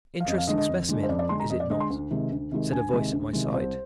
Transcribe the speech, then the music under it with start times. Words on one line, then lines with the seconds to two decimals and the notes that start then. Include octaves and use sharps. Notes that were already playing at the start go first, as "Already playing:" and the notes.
"Interesting specimen, is it not?" said a voice at my side.
0.20 F5
0.27 F2 D#5
0.38 F5
0.47 D3 G#3 D4 D#5
0.58 D#5
0.69 F2
0.89 D3 G#3 D4
1.03 C5
1.09 F2 D5
1.19 D5
1.29 D3 G#3 D4 C6
1.40 A#5
1.49 F2 D#5
1.60 D5
1.70 D3 G#3 D4 D#5
1.80 C6
1.90 D2
2.11 C3 D#3 G#3
2.32 D2
2.52 C3 D#3 G#3
2.72 D2 G#5
2.93 C3 D#3 G#3
3.12 D2
3.33 C3 D#3 G#3
3.54 C2 C5